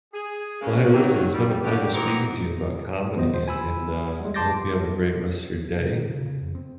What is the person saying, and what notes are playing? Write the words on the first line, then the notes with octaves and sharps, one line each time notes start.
Well, hey, listen, it's been a pleasure speaking to you about comedy and and, uh, I hope you have a great rest of your day
G#4
C#3 G#3 A#3 C#4
D#3 F#3 A#3
G3
G2 D3 G3 F#4 G4
E3 C4 D#4 A#4 F#5 A#5
E2 B3 C5 D#5
C5
G#5 B5 E6
G3 G#3
A5 C6 D6 G6 A6 A#6
C3
D#3
C#3
C#3
F2
C4